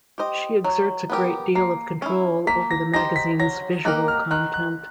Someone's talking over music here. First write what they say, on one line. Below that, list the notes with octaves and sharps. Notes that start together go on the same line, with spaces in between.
She exerts a great deal of control over the magazine's visual content.
G4 C5 D#5
F#3
B3 D4 G4 A#4
A#3 C7
C#4 E4
A#3 B6
A#6
D#4 G4 C5 A#6
B6
F#3 A#6
A#3 D#4 G4 A#4 F#6
F6
D#3 F#6
F#6